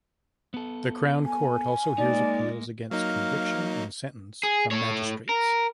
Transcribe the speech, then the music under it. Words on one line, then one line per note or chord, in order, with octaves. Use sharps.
The Crown Court also hears appeals against conviction and sentence from magistrates.
B3 A4
G#5
G#3 A#3 D#4 D5
F#3 A#3 D#4 F5
G#4
A3 C#5
A#4